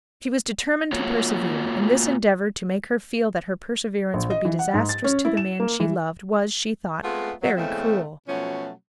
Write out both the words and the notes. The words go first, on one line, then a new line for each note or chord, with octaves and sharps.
She was determined to persevere; and this endeavour to make her feel that her perseverance would be disastrous to the man she loved was, she thought, very cruel.
A#3 F4 F#4 C#5
A#1
D#5
E3
F#5
G#2
A6
C#4
E4
E7
A#3
E3
G#3 A3 B3 C4 F4 G#4
F#3
E2 A2 C#3 G#3 A3 C4
B2 F3 F#3 A3 C#4